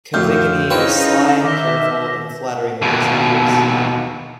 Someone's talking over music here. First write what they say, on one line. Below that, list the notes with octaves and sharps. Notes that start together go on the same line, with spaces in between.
Cavigini is sly, careful, and flatteringly assiduous.
F2 A2 F#4 F6 G6
C4 C#4 D#4 E4 G#4 B4 C#5 F5
D#3 D#4 E5 D6 A#6 G7
D#2 B2